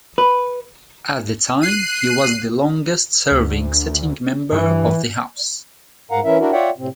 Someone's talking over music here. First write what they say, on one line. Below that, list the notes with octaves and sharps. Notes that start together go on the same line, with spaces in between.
At the time he was the longest-serving sitting member of the House.
B4
F#6 C7 D#7
D2
G2 E3
G#2 A#4 F5 F#5 A#5
E3 C#4 E4 A#4 E5
D4 E4 F#4 A#4
F4 C#5 D5 E5 F#5 G5
A2 C3 C4